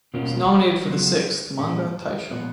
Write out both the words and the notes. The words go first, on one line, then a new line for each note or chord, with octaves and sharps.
It was nominated for the sixth "Manga Taisho".
B2 A#3 C#4 F4
C#3 F#3 B3 F4
A#2 G#3 C#4
A#2 F3 B3